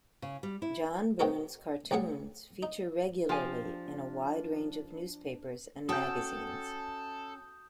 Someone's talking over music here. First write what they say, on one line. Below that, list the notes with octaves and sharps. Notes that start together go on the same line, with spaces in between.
John Byrne's cartoons feature regularly in a wide range of newspapers and magazines.
C#3
G3
E4
B2 C4 D#4 F#4 A4 A#4
B1 A2 B3 G#4 F#5
D#4
F3 D4 G4 F5 G#5
C#4 F#4 A4 G5 A5 D#6 G6